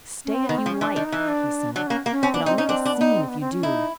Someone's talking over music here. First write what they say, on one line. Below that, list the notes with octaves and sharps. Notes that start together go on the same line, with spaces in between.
"Stay if you like," he said, "but I'll make a scene if you do."
C#4
C4
D#3 B3
C4
F3
C#4
E3 D4
D#3
D#4
E3
D4
F#3 D4
A#3 C#4
A#3
C#4
C4 C#4
B3 D4
C4 D#4
C#4 D#4
C4 D4
D4
B3
D#4
C4
B3
C4
C#4
D#4 E4